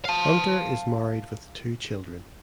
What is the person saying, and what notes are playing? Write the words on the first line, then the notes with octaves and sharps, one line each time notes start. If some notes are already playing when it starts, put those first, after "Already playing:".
Hunter is married with two children.
F5 A5